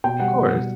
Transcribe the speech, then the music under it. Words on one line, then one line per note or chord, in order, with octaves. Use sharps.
Of course.
B2 G5
G3 F#5
B2
G3